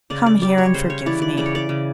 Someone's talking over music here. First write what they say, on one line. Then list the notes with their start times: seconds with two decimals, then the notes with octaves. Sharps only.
Come here and forgive me.'
0.10 C#3 D5
0.26 D5
0.42 G3 D5
0.58 C#5
0.74 C#3 C5
0.90 C#5
1.06 E3 D5
1.22 D5
1.37 C#3 D5
1.46 C#5
1.55 D5
1.69 C#3